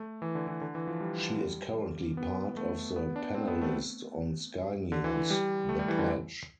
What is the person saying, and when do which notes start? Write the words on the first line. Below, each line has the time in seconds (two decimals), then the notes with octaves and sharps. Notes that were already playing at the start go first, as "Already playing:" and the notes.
She is currently part of the panellist on Sky News "The Pledge".
Already playing: A3
0.22 E3
0.35 D3
0.48 E3
0.61 D3
0.75 E3
0.87 F3
1.01 G3
2.17 B3
2.57 A3
2.96 B3
3.16 D4
3.35 C4
3.48 B3
3.61 A3
4.92 D3
5.04 E3
5.30 G3
5.69 A3
5.79 G3
5.88 E3
5.99 D3